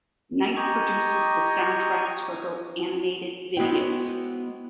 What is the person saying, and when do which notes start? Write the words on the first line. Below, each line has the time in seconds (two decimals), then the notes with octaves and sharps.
Knight produces the soundtracks for her animated videos.
0.56 G4 D#5 G#5 A#5 C#6
3.57 G#3 B3 E4 F#4 C5 G5